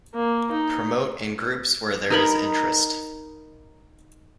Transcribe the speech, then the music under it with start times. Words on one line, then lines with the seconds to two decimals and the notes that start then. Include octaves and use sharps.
Promote in groups where there is interest.
0.14 A#3
0.52 D#4
2.10 D#4 A#4 B5